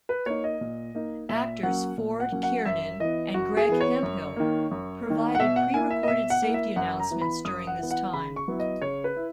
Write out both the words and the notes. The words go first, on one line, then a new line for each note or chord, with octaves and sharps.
Actors Ford Kiernan and Greg Hemphill provided pre-recorded safety announcements during this time.
B4
A#3 D#4 C#5
D#5
A#2
A#3 D#4
A#2 E5
F#3 A#3 C#4 F#5
A#2
F#5
F#3 A#3 C#4
F#5
F#2 E5
E3 B3 D#5
F#2 F#4
G#4
E3 B3
C#5
F#2
D#3 A#3
F#2
D#3 A#3
F#5
B2 E5
F#5
A#3 E4 G#5
E5
D#5
B2 E5
F#5
A#3 E4
E5
F#2 F#5
A#5
E3 B3
B5
F#2 D#6
F#5
E3 B3
F#5
C#3 B5
C#6
F#3 B3 E4
D#5
C#3 C#5
B4
E4